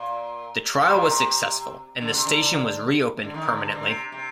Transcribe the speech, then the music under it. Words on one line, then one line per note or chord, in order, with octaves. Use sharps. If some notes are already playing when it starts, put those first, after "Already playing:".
The trial was successful, and the station was reopened permanently.
Already playing: A#2
C3
A#2
C3
D3
C3
D3
D3
D#3
D3
D3
C3
C3